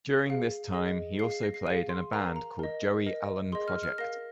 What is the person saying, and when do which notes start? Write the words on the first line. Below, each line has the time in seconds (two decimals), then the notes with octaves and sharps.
During this time, he also played in a band called Joey Allen Project.
0.27 G#4 F5
0.73 G#4 D#5
1.19 G#4 F5 C7
1.31 C7
1.43 A#6
1.54 C7
1.66 G#4 F5 D#7
1.89 C6
2.13 A#4 F5 A#5
2.36 A#5
2.59 A#4 D#5
3.06 A#4 D#5
3.52 G#4 D#5 C6
3.68 F6
3.83 F6
3.98 A#4 F5 A#6